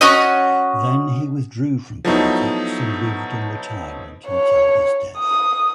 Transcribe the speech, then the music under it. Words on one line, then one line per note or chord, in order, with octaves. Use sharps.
Then he withdrew from politics, and lived in retirement until his death.
C#4 F#4 D#5
F3 F#3 A3 B3 D#4 E4
C#5
D#6